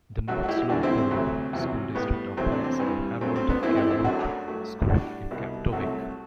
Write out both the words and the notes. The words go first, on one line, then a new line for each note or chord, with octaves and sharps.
The North Slope Borough School District operates the Harold Kaveolook School in Kaktovik.
F#2 F#3 A3 F#4 A4
F#4
E4 G4
E2 D3 G3 D4 F#4
C4 E4
C4
D2 C3 F#3 A3
E2 C3 F#3
A2 G3 B3
E2 C3 F#3 A3 C4
D4
C4
G2 E3 G3
G2 F#3 A3 C4
C4
B3 D4
F#2 E3 A3 C4 E4
E4 G4
D4
C4 E4
F#2 F#3 A3 D4 F#4
G2 F#3 A3
A2 G3 D4 F#4
C2 B2 G3
C2 C3 F#3 A3 F#4 A4